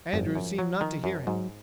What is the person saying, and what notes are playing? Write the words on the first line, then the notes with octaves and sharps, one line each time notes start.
Andrews seemed not to hear him.
G#1 F#2
F#3
F#2 F3
F#3
D#3
F#2
G#2 F#3